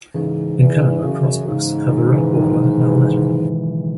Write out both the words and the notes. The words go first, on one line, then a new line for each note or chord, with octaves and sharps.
In Canada, crossbucks have a red border and no lettering.
G#2 C#3 E3
E2
F#2 C#3
G#2 C#3
B2 D#3
C#3 E3
D#3 F#3
E3 G#3